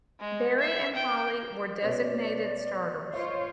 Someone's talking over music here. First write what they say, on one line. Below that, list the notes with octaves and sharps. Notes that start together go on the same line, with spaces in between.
Berry and Hali were designated starters.
G#3
E5
G5
B2 B3 C#4 B4 C#5 D5
F4 C5 C#5 D#5